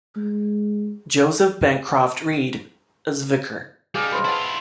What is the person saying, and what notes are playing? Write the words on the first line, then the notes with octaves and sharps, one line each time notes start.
Joseph Bancroft Reade as vicar.
G#3
G3 D#4 G#4 F5 D6
B4 C5 D#5
E4 F4 F#5 A5